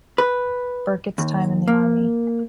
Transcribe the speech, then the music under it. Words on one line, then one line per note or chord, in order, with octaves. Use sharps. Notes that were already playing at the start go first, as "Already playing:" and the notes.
Burkett's time in the Army.
B4
D#2
A#3